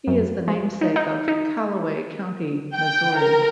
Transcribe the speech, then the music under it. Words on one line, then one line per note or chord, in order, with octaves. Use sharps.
He is the namesake of Callaway County, Missouri.
F#2
G#3
D#4
D#4
D#4
G5
A#4